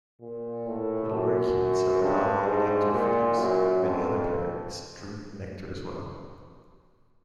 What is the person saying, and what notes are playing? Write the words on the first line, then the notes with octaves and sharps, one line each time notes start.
The lorikeets are predominantly nectar feeders; many other parrots drink nectar, as well.
A#2
A2
F#2
G2
G#2
A#2
F#2
F2